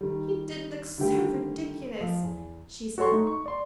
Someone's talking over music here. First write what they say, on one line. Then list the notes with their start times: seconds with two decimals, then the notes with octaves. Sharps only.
"He did look so ridiculous," she said.
0.01 D#3 G3
0.98 D3 D#3 G3 A3 G4 A#4
2.01 F3
2.23 E2
2.98 F#4 A4 C#5 C6 C#6
3.12 A3 D#4
3.27 C#6
3.46 D5 C6